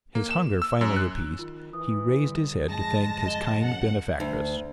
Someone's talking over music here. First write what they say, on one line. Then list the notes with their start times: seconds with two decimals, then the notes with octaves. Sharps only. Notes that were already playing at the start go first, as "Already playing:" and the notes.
His hunger finally appeased, he raised his head to thank his kind benefactress.
0.15 A#3
0.31 E7
0.62 E6
0.81 F#2
0.96 F#6
1.39 D#3 F4
1.73 E3 D#6
2.24 D3 G3
2.69 G1 F2 E3 G#3 A5 A#6
3.26 D#5 E7 G7
3.63 F#2 F#5
4.20 D2